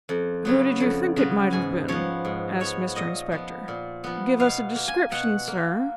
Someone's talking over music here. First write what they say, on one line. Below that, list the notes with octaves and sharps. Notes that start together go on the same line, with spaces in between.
'Who did you think it might have been?' asked Mr Inspector. 'Give us a description, sir.
F2
C#3 F#3 B3
F2
C#3 F#3 B3
G#2 G#5
F3 B3 C#5
G#2
F3 B3 C#5
A#2 D#5
F3 B3
A#2
F3 B3
B2 F5
A#3
G#5
B2 F#5
A#3